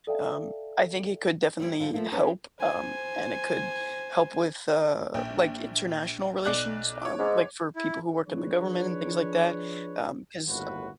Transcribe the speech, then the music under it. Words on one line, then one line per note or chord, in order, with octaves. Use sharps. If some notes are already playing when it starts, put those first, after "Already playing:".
um, I think it could definitely help, um, and it could help with, uh, like, international relations, um, like, for people who work in the government and things like that, um, 'cause
A4 D5 E5 F5 G5 A5
G3 C4 E4
D3 F3 G3
F3 A3 A#3
C4 C#4 D#4 G#4 B4
C5 G#5
A#1 G5
B1 D5 F#6
C#5 D6
G#2
E4
F3 D4 G#4 B4 C#5
G1 D#2 A2 F#4 B4